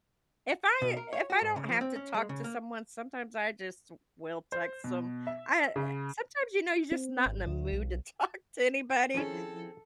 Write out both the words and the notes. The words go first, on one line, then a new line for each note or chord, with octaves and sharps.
If I if I don't have to talk to someone, sometimes I just will text 'em. I, uh, eh sometimes you know you're just not in the mood to talk to anybody,
B2
A#4
C#5
F#4
G#2
C#3
F3
C4
C#4
G#3
C#3
A#3
C5
B2
E5
C#3
C4
G#1
D2
B1
D#3 F3 C4 C#4 E4 G#4 A4